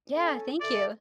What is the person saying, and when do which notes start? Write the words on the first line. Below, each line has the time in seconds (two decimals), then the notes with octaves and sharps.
Yeah, thank you.
0.14 C#4 A4 G#5
0.60 A4 D5 E5